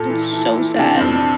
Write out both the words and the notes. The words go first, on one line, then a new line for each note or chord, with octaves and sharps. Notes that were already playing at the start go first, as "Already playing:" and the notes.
It's so sad.
Already playing: A#2 A4
E3
E3
E3
C3 D4
C4
F2
D4